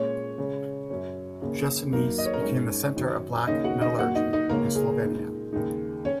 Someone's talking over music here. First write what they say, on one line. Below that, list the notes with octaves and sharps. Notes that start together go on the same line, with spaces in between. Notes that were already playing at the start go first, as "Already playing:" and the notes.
Jesenice became the center of black metallurgy in Slovenia.
Already playing: A#2 G#3 C#4 C#5
C#3 G#3 C#4
F#2 F#3 C#4
D#2 C#3 A#3 C#4
F#2 F#3 A#3 D#4 A#4
D#5
C#5
A#4
G#2 G#3 C#4 D#4 C#5
F#2 D#3 F#3 D#4
D#2 C#3 A#3 C#4 D#4 D#5
F#4 F#5
D#4 D#5
A#2 F#3 A#3 F#4 F#5
D#4 D#5
D#4 D#5
C#2 C#3 A#3 C#4 A#4
G#4
A#2 G#3 D#4
D#2 C#3 G#3 D#4
C#4 C#5